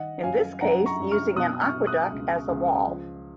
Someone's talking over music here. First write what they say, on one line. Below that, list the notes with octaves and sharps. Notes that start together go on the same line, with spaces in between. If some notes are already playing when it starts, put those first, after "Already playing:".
In this case using an aqueduct as a wall.
Already playing: D#3 D#5 F#5
F#2 F5 G#5
F#2 F#5 A#5
A#5 C#6
F#2
C#6 F6
B2 D#6 F#6
C#6 F6
B2
D#6 F#6
C#2
C#2
F3